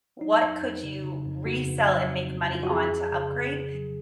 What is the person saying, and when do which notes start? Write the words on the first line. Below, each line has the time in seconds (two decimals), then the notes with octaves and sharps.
what could you resell and make money on to upgrade,
0.21 F#3 D#4
0.42 F2
0.62 F2
0.84 C#3
1.04 C#3
1.25 F2
1.46 C#3 F#4
1.67 F2
1.87 F#3
2.08 F2
2.28 F2
2.50 F2
2.55 F4
2.63 F#4
2.70 F2 G#4
2.91 F2
3.12 C#3
3.32 F2
3.54 C#3
3.74 F#3